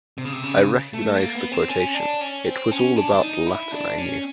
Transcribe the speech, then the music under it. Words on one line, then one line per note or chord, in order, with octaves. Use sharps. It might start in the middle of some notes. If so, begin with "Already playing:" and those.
I recognised the quotation: it was about all the Latin I knew.
C3
C#3
C3
C#3
A3
A#3
B3
C4
C#4
D4
C#4
C4
C#4
D4
D4
D#4
E4
D4
C#4